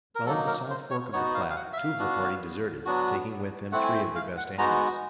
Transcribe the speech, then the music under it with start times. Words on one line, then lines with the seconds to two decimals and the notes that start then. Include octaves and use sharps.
While on the south fork of the Platte, two of the party deserted, taking with them three of their best animals.
0.15 A#4
0.25 F#3 A#3 D#4 A4
0.47 A#4
0.70 C5
0.90 C#5
1.13 B3 D#4 F#4 C#5
1.34 F5
1.50 F5
1.56 F#5
1.73 E5
1.77 F5
1.99 B3 D4 F#4
2.85 F#3 B3 D4 F#4
3.72 A3 C4 E4 F#5
3.83 G#5
3.94 G5
4.15 F5
4.37 F#5
4.58 G#3 B3 D#4 F#4 A#5